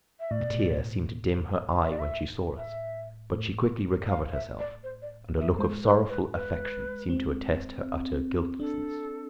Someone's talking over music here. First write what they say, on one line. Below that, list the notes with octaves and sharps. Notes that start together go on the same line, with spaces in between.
A tear seemed to dim her eye when she saw us, but she quickly recovered herself, and a look of sorrowful affection seemed to attest her utter guiltlessness.
E5
A2 D5
B2
A2
E5
D5
E5
E5
A2
F5
E5
D5
C5
D5
E5
G#3 C5
B4
B4
B4
C4
D4 A4